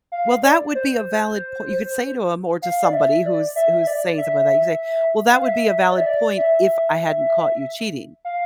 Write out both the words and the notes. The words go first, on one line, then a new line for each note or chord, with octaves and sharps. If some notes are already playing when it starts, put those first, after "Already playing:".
"Well, that would be a valid poi" you could say to 'em or to somebody who's who's saying something like that, you could say, "Well, that would be a valid point if I hadn't caught you cheating.
F5
D5
C5
F5
D5
E5
D5
E5
E5
D5
E5
F5
E5
D5
E5
D5
E5
F5